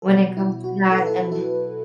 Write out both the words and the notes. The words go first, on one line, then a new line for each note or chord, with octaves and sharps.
when it comes to that, an
A4
B2 F#3 F#4
E4
F#4
A4
B4
E4 A4
E4 A4